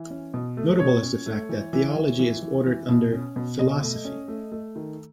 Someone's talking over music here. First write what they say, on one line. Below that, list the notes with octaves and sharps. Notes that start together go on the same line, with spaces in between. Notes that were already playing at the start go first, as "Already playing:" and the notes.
Notable is the fact that theology is ordered under 'Philosophy'.
Already playing: E3
C#4
B2
A3
B2 C#5
C#4
A3
E3
E3
E3
E3
E3
E3
B2
C#4
B2
B2 D#5
A3
C#4
A3
A3
D#3